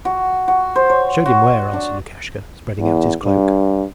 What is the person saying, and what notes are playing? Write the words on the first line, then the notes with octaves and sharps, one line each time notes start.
'Showed him where,' answered Lukashka, spreading out his cloak.
F#4
F#4
C5
C#5
F#4
D4
E2
G2